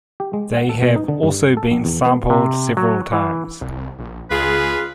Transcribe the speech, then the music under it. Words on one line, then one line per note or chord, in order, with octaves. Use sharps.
They have also been sampled several times.
G4
G#3
F#5
A4
B2
D#4
D3
G2
A4
A#1
E2
B3
C3
F#3
E3
C2
A#1
C#2 G#3 F4 G#4 B4